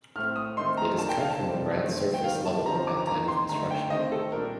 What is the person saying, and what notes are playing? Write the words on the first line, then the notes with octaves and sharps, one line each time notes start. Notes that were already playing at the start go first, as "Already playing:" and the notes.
It is cut from the ground surface level at time of construction.
A2 A3 C4 F6
D#6
D#3 A3 C4 D#4 C6
A#5
D#3 A#3 D4 A5
G5
F5
A5
C3 G3 C4 D#4
D#3 A3 C4
G5
D#3 G3 A#3 F5
A5
D3 F3 C4 D#4 A#5
A#5
D6
A#5
D#3 A#3 D#4 A#5
C6
D3 A3 D#4 A#5
G5
D#3 A3 C4 D#5
A4
A#2 G3 D4 A#4